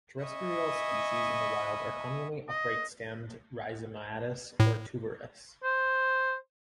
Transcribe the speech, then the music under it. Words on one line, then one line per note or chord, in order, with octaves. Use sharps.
Terrestrial species in the wild are commonly upright-stemmed, rhizomatous, or tuberous.
D#5 E5 G#5 B5 C#6 D#6
D#5
A2
C5